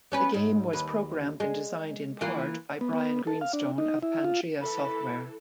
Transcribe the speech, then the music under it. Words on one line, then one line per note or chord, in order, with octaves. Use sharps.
The game was programmed, and designed in part, by Brian Greenstone of Pangea Software.
B3 C#4 B4
G#2
D#2 B4
G#3
E3 A#3 F4
B3
B3
A4
F5
D4
D#4
E4
F4
E3 A4 B5